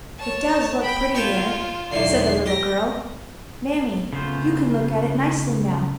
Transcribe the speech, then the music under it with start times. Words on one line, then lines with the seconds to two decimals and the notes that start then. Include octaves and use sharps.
'It does look pretty there,' said the little girl; 'mammie, you can look at it nicely now.'
0.19 C#5 A5
0.81 G5 B5
1.15 F4 C#5 G5 A5
1.92 B1 E2 D3 C7
2.46 G4 A#6
4.13 C#3 A3 B3 F4 C5